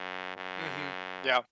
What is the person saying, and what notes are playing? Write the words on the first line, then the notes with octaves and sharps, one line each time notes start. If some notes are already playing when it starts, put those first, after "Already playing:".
Mhm, yeah.
Already playing: F#2
F#2